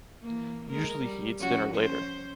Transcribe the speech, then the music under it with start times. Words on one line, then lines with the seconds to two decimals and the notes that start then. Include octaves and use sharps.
Usually he eats dinner later.
0.22 E3 A#3
0.70 G#3 A#4
1.02 G3
1.39 F3 C#4 F#4
1.74 C#4 C5